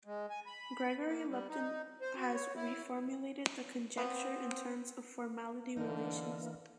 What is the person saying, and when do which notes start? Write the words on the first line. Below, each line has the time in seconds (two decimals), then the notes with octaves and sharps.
Gregory Lupton has reformulated the conjecture in terms of formality relations.
0.06 G#3
0.30 G#5
0.46 B5
1.05 A#3
1.29 G3
1.49 D#4
2.01 C5
2.16 F#4
2.34 C#5
2.55 E4
3.97 B3 C4
5.76 D3 E3 A#3 D4 D#4